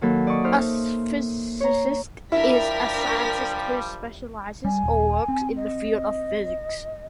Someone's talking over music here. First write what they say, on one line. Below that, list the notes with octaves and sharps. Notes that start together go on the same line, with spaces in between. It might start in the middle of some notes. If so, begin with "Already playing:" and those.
A physicist is a scientist who specializes or works in the field of physics.
D#3 F#3 A#3 A4 B4
D5 D#5 C#6
D#4 C5 E5 F6
C#5 A#5
F3 G3 D4 E4 A#4 B6
G3 G#5
D#1
C4
D#5